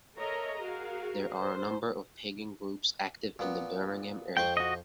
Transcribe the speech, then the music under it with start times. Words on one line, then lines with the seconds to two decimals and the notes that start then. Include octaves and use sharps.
There are a number of Pagan groups active in the Birmingham area.
0.18 A4 A#4 C#5 D#5 E5 A#5
0.59 F#4 G#4 A#4 F5
1.34 C5
3.39 A#2 B3
4.37 F2 C5 G5 C#6
4.57 F#4 D#5